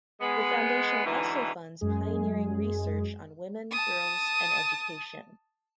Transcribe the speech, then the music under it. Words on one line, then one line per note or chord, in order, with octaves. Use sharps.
The Foundation also funds pioneering research on women, girls, and education.
G#3 B3
G#2 B2 D3 E3
F#2 G#3 G#4
A5 D#6